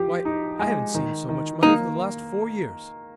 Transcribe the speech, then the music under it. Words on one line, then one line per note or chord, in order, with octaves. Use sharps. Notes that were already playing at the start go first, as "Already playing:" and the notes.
Why, I haven't seen so much money for the last four years!
Already playing: F3 G4
D#4
G#3
D#3
D#3
A#3 D#4